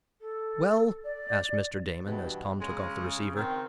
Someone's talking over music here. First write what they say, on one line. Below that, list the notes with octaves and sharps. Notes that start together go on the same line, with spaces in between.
"Well?" asked Mr. Damon, as Tom took off the receiver.
A4
D5
G2 B2 E3
C#3 G#3
D#3 C4